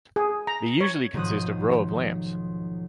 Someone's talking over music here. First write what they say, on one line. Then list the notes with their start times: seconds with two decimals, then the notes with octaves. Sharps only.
They usually consist of row of lamps.
0.16 G#4
0.47 A#5
0.81 C#5
1.14 B1 G#2 D#3 F3 D#6 F#6